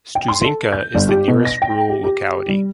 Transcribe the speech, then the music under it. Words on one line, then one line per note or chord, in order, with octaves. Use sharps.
Stuzhenka is the nearest rural locality.
G5
C6
A4
G6
G1
G4
B2
A#6
G5
G4
G4
G3